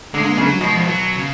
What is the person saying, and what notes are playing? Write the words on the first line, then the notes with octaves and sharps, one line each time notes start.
"My name is Morton."
D3 G#3
C#3 F#3
B2 G#3
F3
F#3
C#3